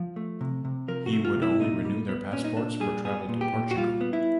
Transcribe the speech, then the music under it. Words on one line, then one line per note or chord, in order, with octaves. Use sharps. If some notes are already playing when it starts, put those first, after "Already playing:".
He would only renew their passports for travel to Portugal.
Already playing: F3
A3
C3
C3
F3 A#4
F#4
A3
F4
C3
E4
A#2 D#4
G3
B3
A#2 C#4
D#4
A#2 D4
G3 G#4
B3 G#4
A#2
G4
A#2
F#4
G3 F4
B3
E4